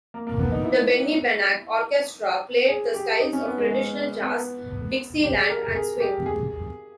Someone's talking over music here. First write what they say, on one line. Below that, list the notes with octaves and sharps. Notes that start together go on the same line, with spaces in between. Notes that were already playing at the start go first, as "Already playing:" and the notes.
The Benny Benack Orchestra played the styles of traditional jazz, dixieland, and swing.
A#3
A#3
B3
D#4
E4
G#4
G4
D#4
C#4
B3
G#3
G#3
B3
G4
G#4
A#4
A#4
G#4
G4
G#4